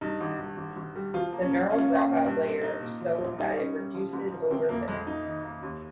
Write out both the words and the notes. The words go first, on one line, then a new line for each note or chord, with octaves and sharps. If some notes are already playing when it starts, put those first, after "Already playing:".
The neural dropout layer so that it reduces overfitting.
G2 D#4
G#1
G2
G#1
G#1
G3
F3 F4
A#3
C#4
A#3
C#4 F4
A#3
A#2
G2
C4
D#4
A#2
F3
A#1
G3 D#4
C#4
G3
F3
G#2
F3
G1 C4
F2 A#3
F2 G#3
A#3 D#4
D#3
A#3
D#2